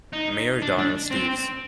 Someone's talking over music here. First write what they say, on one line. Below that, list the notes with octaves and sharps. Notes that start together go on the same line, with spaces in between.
Mayor Donald Steeves.
D#4
D4
D4
C4